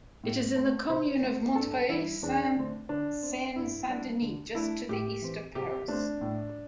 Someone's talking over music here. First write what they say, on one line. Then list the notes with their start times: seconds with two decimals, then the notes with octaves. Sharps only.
It is in the commune of Montreuil, Seine-Saint-Denis, just to the east of Paris.
0.24 A2
0.56 A3 C4
0.89 C3 C5
1.23 A3 C4
1.56 G2 A4
1.89 E3 G3 E4
2.22 E2 D4
2.56 D3 A3 C4
2.89 D3 D4
3.23 C4
3.56 G2 E4
3.88 G3 D4
4.22 D3
4.55 A3 D4 E4
4.89 A2 G4
5.21 E3 C4
5.55 C3 G4
5.88 A3 C4 D4
6.21 A2